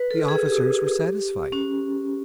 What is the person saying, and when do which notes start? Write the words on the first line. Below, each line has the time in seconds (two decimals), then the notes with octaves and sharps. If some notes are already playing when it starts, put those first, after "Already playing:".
The officers were satisfied.
Already playing: B4
0.11 A4
0.28 G#4
0.46 G4
1.52 C#4